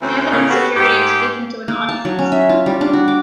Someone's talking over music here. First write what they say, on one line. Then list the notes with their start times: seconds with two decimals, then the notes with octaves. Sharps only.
I have an insecurity of speaking to an audience.
0.02 D2 E3 C4 C#4
0.31 A2 C#3 A#3 C#4
0.50 B3 F#4 G4 A4
0.76 G#2 G4
1.68 A#3
1.89 A5
2.05 F#3
2.19 C#4
2.32 E5
2.49 F4
2.66 G3
2.81 D4
2.93 F#4
3.08 D6